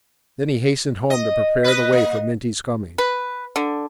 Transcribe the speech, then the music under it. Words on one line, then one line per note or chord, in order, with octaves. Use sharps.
Then he hastened home to prepare the way for Minty's coming.
D#5
B4 D#5
A#3
B4
D3